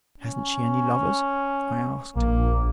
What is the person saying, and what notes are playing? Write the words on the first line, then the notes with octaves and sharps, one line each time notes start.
"Hasn't she any lovers?" I asked.
C#4
A#1 A#3